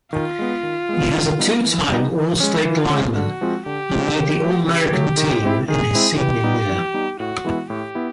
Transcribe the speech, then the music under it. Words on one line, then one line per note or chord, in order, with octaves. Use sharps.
He was a two-time all-state lineman, and made the All-America team his senior year.
D#3 F4
G#3 B3
D#3
G#3 B3
E3
G3 B3 D#4
E3
G3 B3 D#4
E3
G#3 C#4
E3 F4
G#3 C#4
D3 F#4
F3 G#3 C4 F4
D3 G4
F3 G#3 C4 F4
C#3
F#3 A3
C#3 G4
F#3 A3
D#3
G#3 C4 E4
D#3 G#4
G#3 C4 E4
E3 G4
G3 B3 D#4
E3
G3 B3 D#4
A2 F#4
E3 G#3 B3 E4
A2 G4
B3 E4